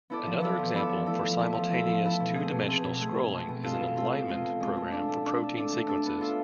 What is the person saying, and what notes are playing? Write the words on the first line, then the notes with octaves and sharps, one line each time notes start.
Another example for simultaneous two-dimensional scrolling is an alignment program for protein sequences.
B3 E4 A4 D5
F3
B3 E4 A4 D5
F3
B3 E4 A4 D5
F3
A3 E4 A4
F3
A3 E4 A4
F3
A3 E4 A4
F3
A3 E4 A4
B2
A3 C4 G#4
B2
A3 C4 G#4
B2
A3 C4 G#4
B2
A3 C4 G#4
B2
G#3 C4 F4 A4
B2
G#3 C4 F4 A4
B2
G#3 C4 F4 A4
B2
G#3 C4 F4 A4
A3
D4 A4 D5
A3
D4 A4 D5
A3
D4 A4 D5
A3
D4 A4 D5
B3
F4 A4 E5